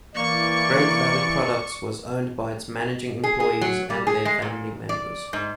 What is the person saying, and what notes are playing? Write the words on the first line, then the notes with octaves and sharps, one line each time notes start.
Great Valley Products was owned by its managing employees and their family members.
E3 A#3 D5 C#6
G#4
G#4
F#3
G3
G#4
G#3
A#2
D5
G#2